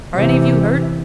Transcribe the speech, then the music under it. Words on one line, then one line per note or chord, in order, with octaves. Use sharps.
"Are any of you hurt?"
C3 E3